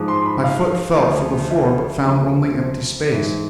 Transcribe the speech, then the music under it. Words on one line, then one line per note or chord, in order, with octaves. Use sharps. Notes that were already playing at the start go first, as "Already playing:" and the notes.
My foot felt for the floor but found only empty space.
Already playing: G#2 F3
C6
B5
F5
D2 D3 F3
E5
D2 C3 F3
C5
G#2 E3